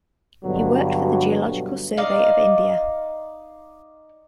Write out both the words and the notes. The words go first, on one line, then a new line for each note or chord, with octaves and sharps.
He worked for the Geological Survey of India.
G2 B2 D3 F#3
D#4 D5 F5